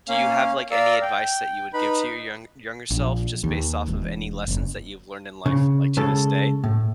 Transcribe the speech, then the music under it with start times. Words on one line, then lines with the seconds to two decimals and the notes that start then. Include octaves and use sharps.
do you have, like, any advice that you would give to your young younger self, just based off of any lessons that you've learned in life, like, to this day?
0.08 A#3 C#4 F5
0.71 A#4 D5 F5 E6
1.02 G5
1.74 D#4 B4 B5
2.90 A#1
3.44 D#2
3.88 E1
4.48 F#1
5.46 C#3
5.97 C#3 G#3 A4
6.64 A2